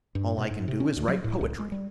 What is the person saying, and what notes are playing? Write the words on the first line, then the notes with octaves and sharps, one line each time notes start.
All I can do is write poetry.
G2
B2
G#2
C3
C#4
D2
F#3
A2
C#2
G#3
G3